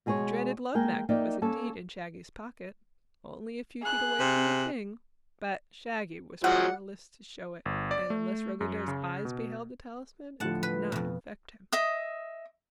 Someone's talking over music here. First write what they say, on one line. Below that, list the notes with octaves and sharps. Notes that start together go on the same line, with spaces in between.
The dreaded Love Magnet was indeed in Shaggy's pocket, only a few feet away from the King, but Shaggy was powerless to show it and unless Ruggedo's eyes beheld the talisman it could not affect him.
B2 G#3 G#4 A#4 C#5
G#3 A#3 A#4 G5 G#5
A#3 D#4 D5 E5 G5
A#3 C#4 A4 A5
G#4 F#6
C3
F3 F#3 G#3 F#5
G1
D5
A3
F#2
C#3
B2
A2 D3 F3 F#5 A5
B4
F2 B2
D#5 E5 D#6